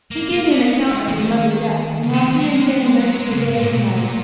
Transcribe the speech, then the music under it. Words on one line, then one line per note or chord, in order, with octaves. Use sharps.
He gave me an account of his mother's death, and how he and Jenny nursed her day and night.
A#3
A#3
B3
G#3
F3
D#3
C#3
D#3
F3
F#3
G#3
A#3
B3
G#3
F#3
G#3
C#3
G#2
A#2
B2
A#2
A#2